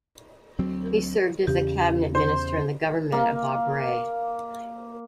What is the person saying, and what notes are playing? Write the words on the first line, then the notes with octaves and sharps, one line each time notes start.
He served as a cabinet minister in the government of Bob Rae.
D2 F#3 C4
E2 C#3 G4
C5
A#3 F5